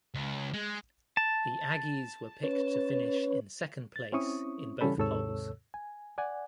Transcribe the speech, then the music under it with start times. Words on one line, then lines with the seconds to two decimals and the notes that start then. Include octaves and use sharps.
The Aggies were picked to finish in second place in both polls.
0.14 C#2
0.54 G#3
1.17 A5
2.43 C#4 B4 C#5
3.96 A6
4.12 C4 C#4 E4 C#6 D#6
4.81 C#3 E3 G3 C#4 A4 B5
4.97 D#2 G#2 C3 A4 C#5 E6
5.74 G#5
6.18 D5 F#5 G#5